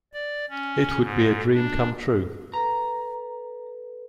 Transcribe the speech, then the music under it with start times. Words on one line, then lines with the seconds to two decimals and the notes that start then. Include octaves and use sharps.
It would be a dream come true.
0.13 D5
0.50 C#4
1.02 G#2
1.54 D4
2.54 A4 B4 A#5